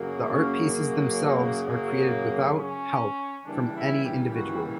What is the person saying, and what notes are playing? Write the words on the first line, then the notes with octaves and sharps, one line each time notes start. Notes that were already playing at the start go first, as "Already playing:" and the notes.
The art pieces themselves are created without help from any individual.
Already playing: F#2 C#3 F#3 A#3
C#4
A#3
C#4
C#3 E3 G3 A#3 D4
E4
G4
F#4